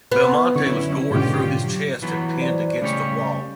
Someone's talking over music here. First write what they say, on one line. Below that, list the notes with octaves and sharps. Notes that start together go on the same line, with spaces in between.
Belmonte was gored through his chest and pinned against a wall.
B3
D3 F#3 C#4 E4 C#6
G#2 B2 D3 C#4 F4 G4
F#3
E3 F#3 B3
C5 D5
C#3 G3 A3 C#5